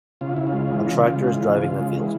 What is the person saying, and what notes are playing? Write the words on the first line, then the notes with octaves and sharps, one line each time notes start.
A tractor is driving in a field.
C#3 F4
C#3 E4
F4
G#3
E3
C#3
C#3
G#3
E3
C#3
C#3
G#3
E3